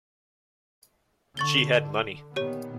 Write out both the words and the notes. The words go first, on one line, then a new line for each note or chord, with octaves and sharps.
She had money.
D3 C#6 A6 G7
A#2 D#3 B3 G4 C#5